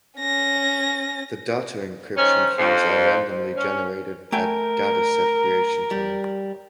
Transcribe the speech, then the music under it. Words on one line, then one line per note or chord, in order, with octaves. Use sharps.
The data encryption keys are randomly generated at dataset creation time.
C#4 A#6
D#3 C#4 C5
F2
C#4
A3 A#4 G5 G#5
G3